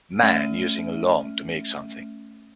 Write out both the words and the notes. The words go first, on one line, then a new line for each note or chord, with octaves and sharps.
Man using a loom to make something.
A3 C#4 E5 F6 D#7